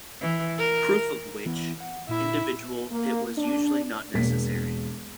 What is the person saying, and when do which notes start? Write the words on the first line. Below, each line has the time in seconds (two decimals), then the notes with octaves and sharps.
Proof of "which" individual it was is usually not necessary.
0.21 E3
0.58 A#4
1.46 E3 B3 E4
1.80 F#5
2.09 A#2 E4 E5
2.92 A#3
3.38 D4
4.14 E1 A#3 B6